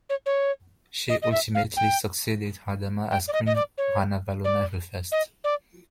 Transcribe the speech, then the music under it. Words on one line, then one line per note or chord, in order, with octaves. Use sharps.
She ultimately succeeded Radama as Queen Ranavalona the First.
C#5
C#5
D#5
D#5
E5
F5
G5
G5
D5
D#5
D#5
D5
C#5
D5
D#5
D5